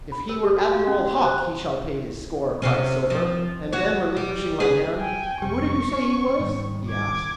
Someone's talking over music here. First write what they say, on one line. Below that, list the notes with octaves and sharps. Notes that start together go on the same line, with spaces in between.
"If he were Admiral Hawke he shall pay his score," cried Silver; and then, relinquishing my hand, "Who did you say he was?" he asked.
B5
A#4
G4
F#4
F5
C#4
F#4
C5
C3 C4 C#4
F3
F#4 C#5
G3
G#4 B4
G5 G#5
F2 C3 G3 C#6
C#4
G#2 D#3 G3
D6 G#6